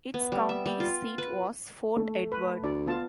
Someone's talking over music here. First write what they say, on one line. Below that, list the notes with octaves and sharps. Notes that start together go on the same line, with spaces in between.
Its county seat was Fort Edward.
B3
G3
E5
G3
F4
B4
A3
B4
D2 D5
B3 F4 A5